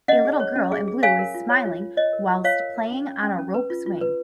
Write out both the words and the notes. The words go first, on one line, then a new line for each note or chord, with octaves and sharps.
A little girl in blue is smiling whilst playing on a rope swing.
C#4 D#5 F#5
G#4
C#5
C#4
G#4
G#4
C#5 F5 G#5
A#4
F4
C#5
F4
F4
C#5 D#5
A#4
F4
F4 C#5 F5
A#4
A#4
C#4
C#4
C#4
C#4
B4
F4
F4
B4